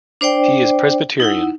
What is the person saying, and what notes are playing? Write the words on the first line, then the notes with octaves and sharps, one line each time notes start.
He is Presbyterian.
D4 C5 D5 G5
D#4 E4 F#5